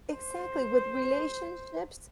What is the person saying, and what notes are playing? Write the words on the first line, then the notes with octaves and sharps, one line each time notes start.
Exactly with relationships.
C5